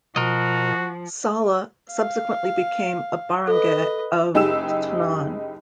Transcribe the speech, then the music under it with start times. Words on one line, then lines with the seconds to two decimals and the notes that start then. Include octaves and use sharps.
Sala subsequently became a barangay of Tanauan.
0.16 B2 F3 F#4 A#4 D#5
1.92 F5
3.48 A4 B4 D#5
4.34 F#1 D#4 G4 G#4 E6 E7